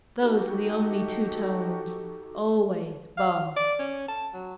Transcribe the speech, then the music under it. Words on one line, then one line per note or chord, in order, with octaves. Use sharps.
Those are the only two tones. Always bum!
D#4 F#4 G4 A4
F5
D5
C#4
A5
F#3